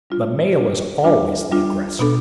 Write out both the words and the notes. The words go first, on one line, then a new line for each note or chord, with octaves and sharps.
The male is always the aggressor.
G3 D4 F4
G3 D4 F4
G3 D4 F4
G3 D4 F4
B2 B3 D4 A4